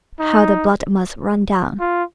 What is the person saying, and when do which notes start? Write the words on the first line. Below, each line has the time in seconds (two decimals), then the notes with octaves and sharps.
How the blood must run down.
0.19 D#4
1.80 F4